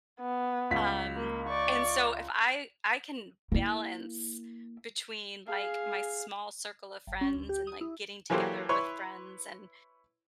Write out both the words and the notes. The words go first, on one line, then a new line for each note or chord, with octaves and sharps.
Um, and so if I I can balance between, like, my small circle of friends and, like, getting together with friends and
B3
C#2 B6
A#3
D5 C#6
A#3 E4
G#4 F5
G1
C#4
D2
G4
D#6
E4
E3 F#3 A#3 G4 A4 C5
E4 B4 C#5 C6 C#6